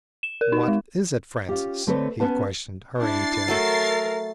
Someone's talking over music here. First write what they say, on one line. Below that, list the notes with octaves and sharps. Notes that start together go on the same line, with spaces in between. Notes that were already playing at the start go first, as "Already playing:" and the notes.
"What is it, Francis?" he questioned, hurrying to him.
E7
A#4
D#4
G#3
C#4 F4 G4
D3 A3 C4 A4 B4 C#5
B3 C#4 B4 A5
D4 E4 A6 C7
F#3 A3 A4 A#4